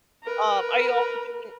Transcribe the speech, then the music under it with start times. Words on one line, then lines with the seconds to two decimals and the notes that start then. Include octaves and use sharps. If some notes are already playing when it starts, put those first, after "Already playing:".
Um, are you also doing
0.24 A#4 B4